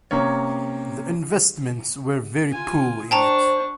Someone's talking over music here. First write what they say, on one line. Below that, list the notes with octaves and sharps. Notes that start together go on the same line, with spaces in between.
The investments were very poor in it.
C3 A#3 C#4 C#5
F4 G#5
D4 C5 G5 A5 A#5 C#6